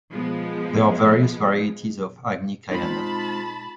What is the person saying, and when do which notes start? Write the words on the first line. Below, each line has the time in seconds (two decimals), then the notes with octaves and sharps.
There are various varieties of Agnicayana.
0.12 F3 G#3 B3
2.72 G#3 C4 D#4 F4 A5 B5